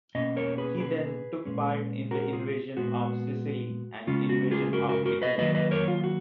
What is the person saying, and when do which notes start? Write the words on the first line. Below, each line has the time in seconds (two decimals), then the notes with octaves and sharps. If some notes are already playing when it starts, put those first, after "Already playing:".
He then took part in the invasion of Sicily and invasion of Italy.
0.15 B2 A#3 C#4 D#5
0.37 A#4 C#5
0.58 G#4 B4
0.80 G#4 B4
1.45 A#2 G#3 C#4
2.11 F#4 A#4
2.33 F4 G#4
2.76 A#2 G#3 B3 F#4
4.07 C#3 G#3 C#4 F4
4.29 F#4
4.51 F4 G#4
4.73 F#4 A#4
4.89 F#4 A#4
5.06 F#4 A#4
5.22 B4 D#5
5.38 D#3 F#3 A#3 B4 D#5
5.55 B4 D#5
5.71 A#4 C#5
5.88 F4
6.04 F#4